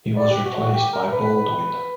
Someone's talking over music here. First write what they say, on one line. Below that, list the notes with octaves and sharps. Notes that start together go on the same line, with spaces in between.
He was replaced by Baldwin.
D5
G4
F#4
F#4
G4
A#4
B4